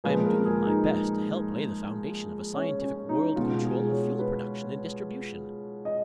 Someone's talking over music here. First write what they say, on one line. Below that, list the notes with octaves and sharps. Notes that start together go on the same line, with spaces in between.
I am doing my best to help lay the foundation of a scientific world control of fuel production and distribution.
A#2 F3 G#3 B4
A#4
G#4
D#4
C#4
C#4
D#4
B2 G#3 F4
G#4
C#5
B4
D#5